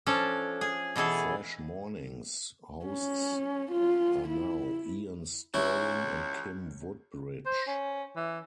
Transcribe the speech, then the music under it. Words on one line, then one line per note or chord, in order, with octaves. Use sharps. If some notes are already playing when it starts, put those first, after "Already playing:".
Fresh Mornings hosts are now Ian Sterling and Kim Woodbridge.
F3 C#4 D4 A4
G#4
B2 E3 G#4 A4
C#4
F4
E4
C#2 E3 C#4 E4
C5
C#4
E3